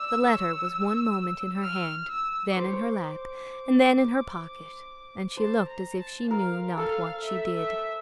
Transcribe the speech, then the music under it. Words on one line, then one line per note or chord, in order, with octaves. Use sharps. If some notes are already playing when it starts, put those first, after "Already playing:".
The letter was one moment in her hand, then in her lap, and then in her pocket; and she looked as if she knew not what she did.
Already playing: D5 E6
C#5
F6
E6
C5 D6
C#5
C5
C5 A5
A#5
A5
A#4 F5
A4 F5
E5
E5